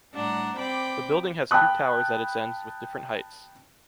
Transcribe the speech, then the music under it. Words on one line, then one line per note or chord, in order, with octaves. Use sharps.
The building has two towers at its ends with different heights.
A2 G3 D4 F#5 A#5
C4 D5 G5 B5 D6
G5 A5 B5 D#6 F#6